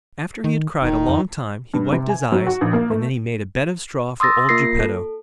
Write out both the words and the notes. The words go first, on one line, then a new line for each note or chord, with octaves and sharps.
After he had cried a long time, he wiped his eyes and then he made a bed of straw for old Geppetto.
D#3
D#1 D#3 D#4
F2
G2
C3
G#5
F#3
F#4
A#1
A#3
A3
C6 D#6 E6 A6 A#6
A#3 F4 A#4 A#6 C7
A4